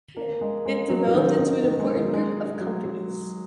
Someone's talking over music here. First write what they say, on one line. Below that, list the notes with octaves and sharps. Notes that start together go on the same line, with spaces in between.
It developed into an important group of companies.
A#3
G#3
G#3
F#3
F#3
D#3
D#3
D#3
G#3
G#3
F#3
G#3
F#3
F#3